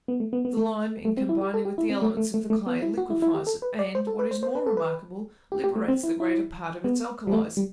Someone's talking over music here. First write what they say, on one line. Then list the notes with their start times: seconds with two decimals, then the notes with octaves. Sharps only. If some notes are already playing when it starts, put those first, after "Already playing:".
The lime, in combining with the elements of the clay, liquifies it; and, what is more remarkable, liberates the greater part of its alkalies.
0.08 B3
0.20 A3
0.33 B3
0.45 B3
0.57 A3
1.05 A3
1.17 C4
1.29 E4
1.41 G4
1.54 A4
1.65 G4
1.78 E4
1.90 C4
2.02 A3
2.17 A3
2.34 A3
2.50 A3
2.66 B3
2.82 E4
2.98 F#4
3.10 E4
3.22 E4
3.34 G4
3.47 A4
3.62 B4
3.79 D5
3.95 C5
4.07 A4
4.19 B4
4.31 C5
4.43 C5
4.55 B4
4.66 A4
4.77 B4
5.52 G4
5.64 G4
5.76 A3
5.88 C4
6.04 E4
6.20 E4
6.84 B3
7.27 G3
7.33 A3
7.57 G3